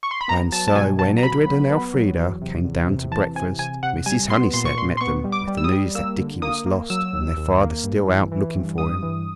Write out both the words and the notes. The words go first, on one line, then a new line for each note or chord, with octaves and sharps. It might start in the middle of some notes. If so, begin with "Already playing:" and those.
And so, when Edred and Elfrida came down to breakfast, Mrs. Honeysett met them with the news that Dickie was lost and their father still out looking for him.
C#6
C6
B5
B3 A#5
F#3 A5
A5
B2 G#5
F#3 A5
A#5
F#3 B5
B3
B3
F#3
E2
C3
E2
C3
E3 A5
C3 G#5
C3 G#5
C3 F#5
G3 G#5
B3 C6
A#2 C6
C#6
A#2 C6
C6
B3 C#6
G3
D6
G3
E6
D#6
G3
A#3 E6
D3
A#3 D#6
A#3
F#3 E6
D#2
D#2
A#3
G2
E3
E3
G2
G2 D#6
E3